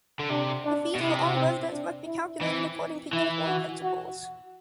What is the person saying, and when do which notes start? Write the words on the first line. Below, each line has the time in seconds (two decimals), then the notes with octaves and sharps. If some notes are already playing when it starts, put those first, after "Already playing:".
The fees for all residents must be calculated according to uniform principles.
0.19 D3
0.29 C3 D4
0.65 D4
0.95 B2
1.00 C3 E4
1.35 C4
1.71 D4
2.06 E4
2.41 E3 C4
3.13 E3 E4
3.48 F#4
3.83 F#4